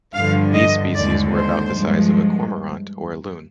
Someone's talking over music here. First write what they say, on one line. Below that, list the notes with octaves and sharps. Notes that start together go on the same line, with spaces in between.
These species were about the size of a cormorant or a loon.
G2 D3 F3 F5
D#5
D#2 D3 G#3 D5
C5
G2 F3 G#3